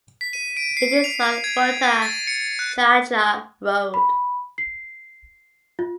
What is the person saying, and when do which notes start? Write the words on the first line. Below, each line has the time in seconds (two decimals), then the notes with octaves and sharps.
It is on Rohtak Jhajjar road.
0.21 B6
0.33 D#7
0.57 D7
0.77 C7
1.04 F7
1.44 G#6
1.82 D#7
2.02 A6
2.27 C#7
2.59 F#6
3.94 B5
4.58 C7
5.79 F4